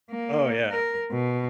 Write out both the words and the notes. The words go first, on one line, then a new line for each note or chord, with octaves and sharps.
Oh, yeah.
A#3
A#4
B2